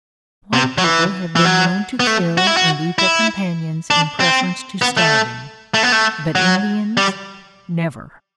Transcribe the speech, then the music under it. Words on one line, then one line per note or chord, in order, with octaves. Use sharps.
White people have been known to kill and eat their companions in preference to starving; but Indians--never!
C3
F#3
E3
E3
F#3
B3
A3
F#4
E4
F#4
E4
D4
C4
B3
A3
A3
B3
A3
F#3
G3